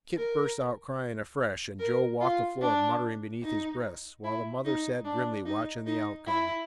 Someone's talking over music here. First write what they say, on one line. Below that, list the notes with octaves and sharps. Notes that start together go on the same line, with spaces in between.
Kit burst out crying afresh, and Joe walked the floor muttering beneath his breath, while the mother sat grimly watching the outcome.
A#4
A#4
F4
D4
D#4
E4
D#4
D4
D#4
D#4
E4